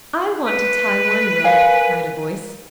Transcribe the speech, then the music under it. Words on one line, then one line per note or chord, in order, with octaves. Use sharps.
"I want to tie one rope," cried a voice.
B4
A#4 F5 G#5